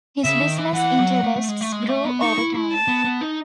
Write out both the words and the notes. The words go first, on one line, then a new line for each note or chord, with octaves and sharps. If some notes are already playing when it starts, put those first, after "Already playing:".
His business interests grew over time.
C#3 E5
D#3
E3
E3 F#5
F#3
A3
A3
G#3
A3
G#3
A3
B3
D#4 C#6
E4
E4
A5
B3
B3
D#4